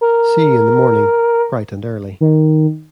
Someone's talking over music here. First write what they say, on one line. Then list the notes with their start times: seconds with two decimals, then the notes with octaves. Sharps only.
See you in the morning, bright and early.
0.01 A#4
2.21 D#3